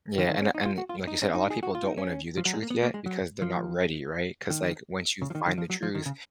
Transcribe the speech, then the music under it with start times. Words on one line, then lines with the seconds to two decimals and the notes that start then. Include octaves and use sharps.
Yeah, and and like you said, a lot of people don't wanna view the truth yet because they're not ready, right? 'Cause, like, once you find the truth,
0.18 D#3
0.29 D#3
0.42 C#4
0.55 D#4
0.66 F4
0.78 F#4
0.89 F4
1.07 D#4
1.22 C#4
1.35 D#4
1.50 G#4
1.63 F#4
1.75 F4
1.86 D#4
1.98 C#4
2.37 F3
2.45 F#3
2.53 G#3
2.62 A#3
2.70 B3
2.82 A#3
2.94 G#3
3.06 F#3
3.42 F3
4.50 D#3
5.22 C#3
5.30 F3
5.35 D#3
5.47 D#3
5.58 F3
5.70 F#3
5.83 F3
5.95 D#3
6.06 C#3